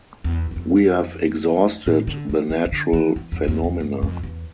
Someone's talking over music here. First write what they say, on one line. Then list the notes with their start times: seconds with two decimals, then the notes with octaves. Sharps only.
We have exhausted the natural phenomena.
0.24 E2
0.51 E2
0.56 F2
1.86 A2
2.07 D3
2.30 E3
2.50 E3
2.66 E3
2.72 D3
2.93 E3
3.16 E3
3.32 F2
3.43 E2
3.48 F2
3.64 E2
3.81 G2
4.03 F2
4.23 E2